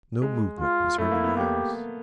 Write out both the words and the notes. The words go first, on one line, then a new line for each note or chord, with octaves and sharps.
No movement was heard in the house.
G#3
F4
A3 E4
A#3
B3
A#3 G4